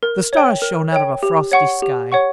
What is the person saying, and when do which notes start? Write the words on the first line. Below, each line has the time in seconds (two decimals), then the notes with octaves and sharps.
The stars shone out of a frosty sky.
0.03 A#4
0.33 C#5 G5
0.62 A#4
0.92 C#5 G5
1.23 G4
1.52 C#5 F#5 C#6
1.82 G4
2.12 C#5 F#5 C#6